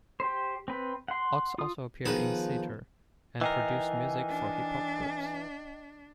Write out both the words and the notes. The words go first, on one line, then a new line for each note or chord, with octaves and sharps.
Ox also appeared in theatre, and produced music for hip hop groups.
G4 C5
C4 B4
F#5 C6
F4 D#6
D#3 F3 B3 G#4 B4 E7
E3 D#4 A#4 D#5 G5 G#5 C7
D4